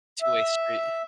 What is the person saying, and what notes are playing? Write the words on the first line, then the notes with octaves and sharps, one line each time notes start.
two way street.
E5